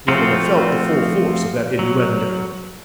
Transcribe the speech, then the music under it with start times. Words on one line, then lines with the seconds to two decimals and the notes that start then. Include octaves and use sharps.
Romola felt the full force of that innuendo.
0.08 F3 A3 C4 F4 F#4
1.79 F#3